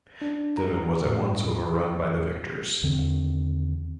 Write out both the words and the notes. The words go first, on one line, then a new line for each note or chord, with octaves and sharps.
Devon was at once overrun by the victors.
D4
A#5
A2
E2 D3 D#3 C4